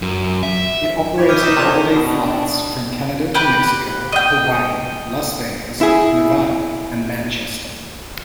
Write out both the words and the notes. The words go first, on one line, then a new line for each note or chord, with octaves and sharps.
It operated holiday flights from Canada to Mexico, Hawaii, Las Vegas, Nevada and Manchester.
F#2
E5
G4 B4 C#5
D6 E6 F6 G6 D#7
D#4 D#6 F6 B6 E7
A#1 C3 A3 C#4 G6 F7
B2 D4
G4 B4
D#5 G5
E4 G#4